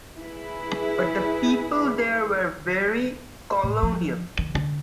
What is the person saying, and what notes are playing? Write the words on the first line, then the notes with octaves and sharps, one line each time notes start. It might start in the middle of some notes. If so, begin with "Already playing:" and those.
But the people there were very colonial.
E4 G#4 B4
A2
F3
D#3
D3